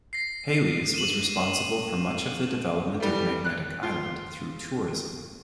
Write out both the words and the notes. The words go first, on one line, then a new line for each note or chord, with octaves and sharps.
Hayles was responsible for much of the development of Magnetic Island through tourism.
A#6 C7
D#7 E7 F#7
E3 G3 A3
F#6
F4